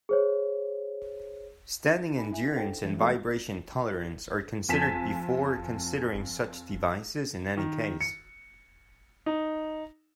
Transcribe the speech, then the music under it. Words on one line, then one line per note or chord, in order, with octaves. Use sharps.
Standing endurance and vibration tolerance are considered before considering such devices in any case.
G#4 C5 C#5
D#4 G#5 B5
E4 E5 G#5
A4 C5 F#5 G5
E3 G#3
A3 C4 F#4 A4 D#5
F2 G#5 A5 B6 E7
D#3
C#7
D#4